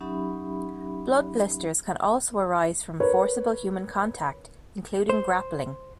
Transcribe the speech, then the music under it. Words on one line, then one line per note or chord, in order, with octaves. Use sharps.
Blood blisters can also arise from forcible human contact, including grappling.
F#3 C#4 D#4 G4 E5 B5
A#4 B4 C#5
C5